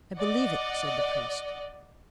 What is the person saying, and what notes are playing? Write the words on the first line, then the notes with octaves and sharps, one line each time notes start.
"I believe it!" said the priest.
D5 D#5 F#5